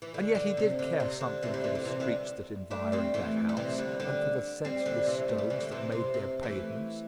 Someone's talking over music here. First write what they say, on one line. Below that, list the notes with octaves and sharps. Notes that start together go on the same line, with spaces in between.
And yet he did care something for the streets that environed that house, and for the senseless stones that made their pavements.
E3
D3
D3
C3
D3
C3
D3
C3 E3
D3 G3
C3 E3
D3
C3 E3
D3 G3
A3 D4
G3 C4
E3 A3
G3
C3 E3
D3 G3
D3 G3
G3 C4
D3 G3
C3 E3
A3
G3
E3
D3 G3
C3 E3
C3
C3
E3 A3